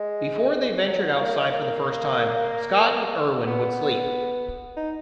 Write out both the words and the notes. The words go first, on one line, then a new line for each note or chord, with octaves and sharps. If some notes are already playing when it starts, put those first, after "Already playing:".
Before they ventured outside for the first time, Scott and Irwin would sleep.
Already playing: G#3
F#3
F#3
A#3
G#3
A#3
B3
D#4